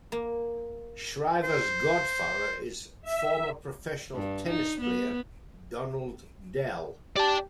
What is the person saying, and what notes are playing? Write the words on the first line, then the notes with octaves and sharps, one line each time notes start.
Shriver's godfather is former professional tennis player Donald Dell.
A#3
C5
E5
G2
D#4
B3
G4 D5 A5